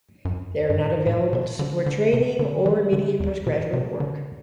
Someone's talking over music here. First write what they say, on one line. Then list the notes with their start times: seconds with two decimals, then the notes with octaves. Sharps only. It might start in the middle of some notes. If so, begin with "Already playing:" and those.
They are not available to support training or immediate postgraduate work.
0.25 F#2
0.70 G2
0.79 A2
1.06 A2
1.33 B2
1.59 D3
1.86 D3
2.13 C3
2.39 D3
2.66 E3
2.93 D3
3.20 E2
3.46 B2
3.73 C3
4.00 D3